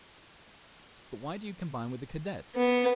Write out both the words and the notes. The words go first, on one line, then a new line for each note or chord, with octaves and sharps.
"But why do you combine with the Cadets?"
B3